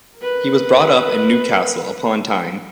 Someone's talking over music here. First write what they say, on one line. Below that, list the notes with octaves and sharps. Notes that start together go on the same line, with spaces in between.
He was brought up in Newcastle upon Tyne.
A#4 B4